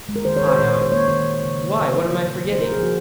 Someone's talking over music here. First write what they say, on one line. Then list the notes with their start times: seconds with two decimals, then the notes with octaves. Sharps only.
ION: Why, what am I forgetting?
0.09 G#3
0.16 A#4
0.25 D#3 C5
0.37 C#5
0.42 D#3
0.47 C5
0.58 A#2 C#5
0.69 C5
0.76 A#2
0.82 C5
0.92 A#3 C#5
1.08 D#3 C#5
1.26 A#3
1.43 C#3
1.59 A#3
1.76 C#3
1.82 A#4
1.93 F#3 C5
2.09 C#3
2.27 A#2
2.44 A#3
2.52 C5
2.60 C3 A#4
2.72 G#4
2.78 F3
2.83 F#4